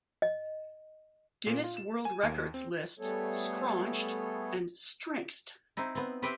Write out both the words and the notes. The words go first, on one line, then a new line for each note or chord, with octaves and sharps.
"Guinness World Records" lists "scraunched" and "strengthed".
D#5
A#2
F4
E7
G#5
D#2
C4
G3 A3 B3 G#4 A4 C#5
C4 D#4 E4
B3 C4
C4 G4 B4 C5 E5 G5